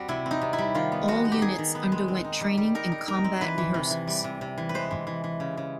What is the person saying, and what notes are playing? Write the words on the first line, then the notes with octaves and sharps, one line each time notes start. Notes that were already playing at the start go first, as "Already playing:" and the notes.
All units underwent training and combat rehearsals.
Already playing: G3 C4 F#4
C3 E4
C4
D#4
C3
E4
G3
D#3 F4
B3
G#3 F#4
D#4
G4
D#3 G#4
D#3
B3
G#3
C4
D#4
G3
G3
D#4 A#4
D#4
D#4 A#4
C4
E3 B4
E3
C3
E3
G3
C3
C3
E3
B4
G#3 C5
E3
E3
E3
C#3
C#3